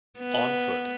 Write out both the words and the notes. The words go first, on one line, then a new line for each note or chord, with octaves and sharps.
On foot.
B3